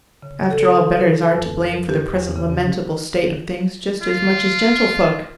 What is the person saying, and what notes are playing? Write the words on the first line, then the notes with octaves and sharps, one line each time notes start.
After all, bedders are to blame for the present lamentable state of things, just as much as gentlefolk.
C#3
A4
D#6
B4
F2
A#4
G4
E2
C#3
C#4
F4